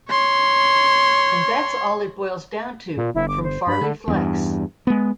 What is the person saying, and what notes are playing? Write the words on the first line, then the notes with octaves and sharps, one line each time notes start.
And that's all it boils down to, from Farley Flex.
C#5 C6
A#2
G1 E4
D6
C5
G2 B5
D3
E2 G2
G#3 B3